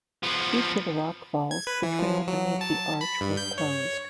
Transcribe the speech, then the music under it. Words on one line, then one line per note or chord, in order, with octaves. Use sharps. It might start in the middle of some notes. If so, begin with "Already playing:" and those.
Due to the rockfalls, the trail beneath the arch was closed.
F3 B3
G#6
B4
E3
F3
F#3
A5
B5
G2
G6
C#5